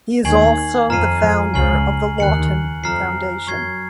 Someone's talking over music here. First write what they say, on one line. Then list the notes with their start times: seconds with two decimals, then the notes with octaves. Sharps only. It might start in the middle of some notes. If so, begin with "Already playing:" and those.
He is also the founder of the Lawton Foundation.
0.24 D#2 D#3 G#5 C#6 G#6 C7 F#7
0.89 F2 F3 A#5 F6 C7 D#7
1.21 F2 F3
1.53 C#2 C#3 G#5 C#6 F6 C7 F#7
2.18 D#2 D#3 F#6 C#7 F#7
2.83 F2 F3 A#5 F6 C7
3.47 F#2 F#3 C#6 G#6 C7